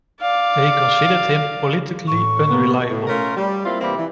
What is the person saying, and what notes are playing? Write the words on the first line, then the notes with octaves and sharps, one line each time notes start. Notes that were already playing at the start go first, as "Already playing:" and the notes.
They considered him politically unreliable.
D5 F5
A2 C#6
A#3 B3
A2
A3 C#4 F4 A#4
G3
A#3 C4 E4 F4
C3 E3 G3 A#3 C4
E3